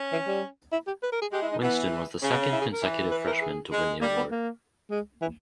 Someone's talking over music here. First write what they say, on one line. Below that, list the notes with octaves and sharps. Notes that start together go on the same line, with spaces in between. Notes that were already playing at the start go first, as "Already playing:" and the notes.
Winston was the second consecutive freshman to win the award.
Already playing: C#4
E3
G3
E4
G4
B4
A#4
G#4
G#3 G4
E4
D#4
E3 B3
C#3 C#4
B3
C#4
E4
G#4
A#4
E3
B4
A#4
G#4
G#3
G3 A#3
B3
A#3
G#3
E3